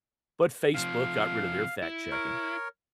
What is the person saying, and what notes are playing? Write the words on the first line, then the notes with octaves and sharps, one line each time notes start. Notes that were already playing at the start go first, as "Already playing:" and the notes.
but Facebook got rid of their fact-checking,
C3 F3 F5
E4
A#4 C#5